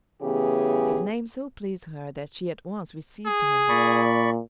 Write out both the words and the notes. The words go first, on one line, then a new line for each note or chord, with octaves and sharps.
His name so pleased her that she at once received him.
A2 C#3 E3 B3 G4 G#4
G#4
A#2 D5 B5 C#6